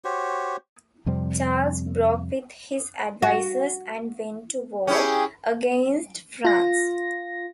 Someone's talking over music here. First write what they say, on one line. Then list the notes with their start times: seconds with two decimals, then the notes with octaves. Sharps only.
Charles broke with his advisors and went to war against France.
0.04 F#4 G4 C5 C#5
1.06 F2 C3 G3 C4
3.22 F#4
4.87 C#4 E4 G4 G#4 C#5 G5
6.45 F4 A#6